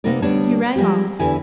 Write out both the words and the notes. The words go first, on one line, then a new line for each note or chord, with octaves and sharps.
He rang off.
C3 A#3 B3 D#4 A#4 D5
D2 G3 B3 D4 C#5 A5
F3 G3 G#3 G4
E2 D3 E4 G4 G#5